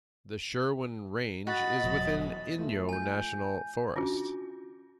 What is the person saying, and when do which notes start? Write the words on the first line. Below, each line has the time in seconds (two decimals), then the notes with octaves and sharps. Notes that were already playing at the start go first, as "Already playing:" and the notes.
The Sherwin Range is within Inyo National Forest.
1.47 F#4 D#5 B5 A6
1.84 E1 B2 F#3
2.57 F3 A3 F4
2.89 G#5 G6
3.96 C#4 D4 F4 F#4